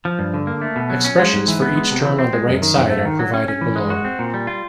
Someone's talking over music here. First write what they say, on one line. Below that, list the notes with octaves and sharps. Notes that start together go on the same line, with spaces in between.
Expressions for each term on the right side are provided below.
F3
G2
D3
A#3
A3
B2
F#3
C#4
G#3
G#2
E3
B3
G#3
C3
E3
C4
G#3
F#2
D#3
F#2
A3
D#3
F#3
C#4
C#4
E3
G#3
F#4
C4
A#2
G3
F4